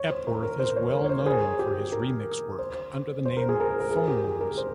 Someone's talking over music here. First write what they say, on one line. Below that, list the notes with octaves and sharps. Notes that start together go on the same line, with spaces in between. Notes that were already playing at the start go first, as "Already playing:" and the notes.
Epworth is well known for his remix work under the name "Phones".
Already playing: C#5
C5
A#4
A#4
C5
C#5
A#4
C#5
C5
G#4
G4
A#4
C5
C5
A#4
G#4
A#4
A#4
G#4
G4
G#4
A#4
C5